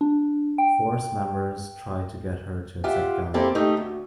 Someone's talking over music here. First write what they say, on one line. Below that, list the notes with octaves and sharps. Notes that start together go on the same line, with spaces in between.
Force members try to get her to accept God.
D4
G5
F4 G4 E5 F#5
A#3 C4 E4 G4 A4
A3 D#4 G4
D2